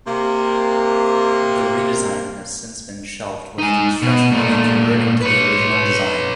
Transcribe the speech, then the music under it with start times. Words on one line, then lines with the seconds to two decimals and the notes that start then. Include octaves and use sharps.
The redesign has since been shelved with construction plans reverting to the original design.
0.06 C3 A#3
3.58 D#4 G#5
4.02 B2
4.32 A#2 A3
5.22 B4 C#5